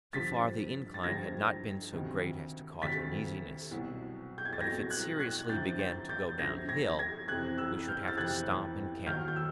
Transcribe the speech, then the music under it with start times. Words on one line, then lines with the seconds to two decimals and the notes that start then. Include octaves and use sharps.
So far the incline had not been so great as to cause uneasiness, but if it seriously began to go downhill, we should have to stop and camp.
0.13 G2 D3 F3 A6 B6
0.94 A6
1.03 G2 D3 F3 G#6 A#6
1.93 D2 C3 D#3
2.82 D2 C3 D#3 A6 B6
3.71 C2 B2 F#3
4.38 G6
4.45 G#6
4.53 A6
4.60 C2 B2 F#3 G#6 A#6
4.90 F#6 G#6
5.20 F#6 G#6
5.49 F#2 D3 F3 G6 A6
5.79 G6 A6
6.09 G6 A6
6.39 F#2 D3 F3 G#6 A#6
6.69 G#6 A#6
6.99 G#6 A#6
7.28 F2 C3 E3 F#6 G#6
7.58 E6 F#6
7.88 F6 G6
8.08 A6
8.17 F2 C3 E3 F#6 G#6
9.07 D#2 D#3 F#3 F6 G6
9.28 G6
9.36 E6